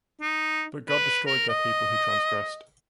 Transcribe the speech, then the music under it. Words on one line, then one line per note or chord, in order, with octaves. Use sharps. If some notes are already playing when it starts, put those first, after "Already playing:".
But God destroyed their people who transgressed.
D#4
B4
A#4
D#5